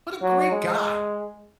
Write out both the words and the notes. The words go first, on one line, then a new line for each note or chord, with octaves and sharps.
What a great guy.
F#3
G#3